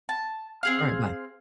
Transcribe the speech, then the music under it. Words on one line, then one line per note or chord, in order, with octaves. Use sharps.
Alright, bye.
A5
C4 G#4 F5